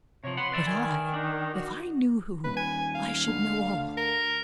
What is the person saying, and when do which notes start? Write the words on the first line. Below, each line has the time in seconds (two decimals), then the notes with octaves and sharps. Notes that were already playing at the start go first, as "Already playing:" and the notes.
But I--if I knew who, I should know all.
0.24 C3 F3 C#5
0.37 B4 F#5 C6
0.52 B4 D5 E5
0.66 D#3 G#5
1.14 D4 D#4
1.53 F#4
2.44 D#1 B4
2.57 G#5
2.95 F5
3.27 D2
3.97 A#4